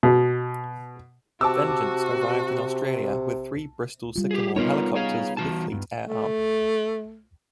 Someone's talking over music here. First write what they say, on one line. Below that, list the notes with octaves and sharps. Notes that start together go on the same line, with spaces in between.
"Vengeance" arrived in Australia with three Bristol Sycamore helicopters for the Fleet Air Arm.
B2
C3 F#4 A5 D6 E6
G3 F4
G4 G#4
B3 D#4 F4 A#4 C#5
G#4 C#5 F5
E3 F#4 A5
G2
A3